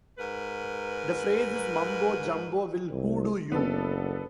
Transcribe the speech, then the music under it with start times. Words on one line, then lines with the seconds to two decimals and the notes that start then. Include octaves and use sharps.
The phrase is "Mumbo Jumbo will hoodoo you".
0.17 G#2 A#4 B4
2.91 C2
3.52 F#1 B3 D4 A4